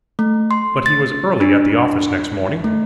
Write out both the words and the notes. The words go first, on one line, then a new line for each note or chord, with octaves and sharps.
But he was early at the office next morning.
A3
C6
A6
D4
A3